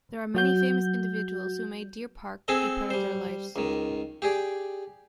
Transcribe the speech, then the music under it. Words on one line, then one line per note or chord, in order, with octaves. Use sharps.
There are many famous individuals who made Deer Park a part of their lives.
F#3 F#4 G6
C4 G#4 A4 D#5 A5
G3 C5
C#2 D#3
G4 G#4 D5